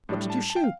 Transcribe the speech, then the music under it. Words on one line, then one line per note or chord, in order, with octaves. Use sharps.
'What did you shoot?
A2 G3 D4
A5
A5
G5
F5